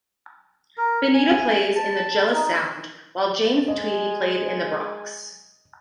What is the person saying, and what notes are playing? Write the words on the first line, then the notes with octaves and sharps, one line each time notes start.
Benito plays in The Jealous Sound while James Tweedy played in The Bronx.
A#4
G#5
A5
D#4
G#3 D#5 G#5